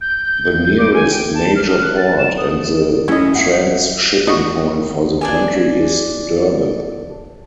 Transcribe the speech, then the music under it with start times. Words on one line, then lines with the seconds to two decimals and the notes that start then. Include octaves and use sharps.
The nearest major port and the transshipping point for the country is Durban.
0.01 G6
0.24 G6
0.44 G6
0.78 D6
0.94 G#5
1.11 G5
1.34 A5
1.56 F6
1.82 F#6
1.97 A6
2.19 E7
2.38 D#6
3.08 A3 C#4 E4 D#5
3.35 E5 F#5
4.27 F#4 D#5
5.21 D4 D5 G#5